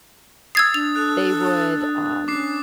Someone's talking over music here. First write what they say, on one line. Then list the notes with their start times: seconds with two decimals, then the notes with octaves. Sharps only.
They would, um
0.55 D#6 E6 G#6 A6 C7
0.74 D4 F7
0.96 A4 F#6
2.28 C#4 D6 C7